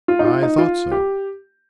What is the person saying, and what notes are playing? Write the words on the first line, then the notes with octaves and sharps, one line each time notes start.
'I thought so.
F4
D#4
F4
D#4
F4
G4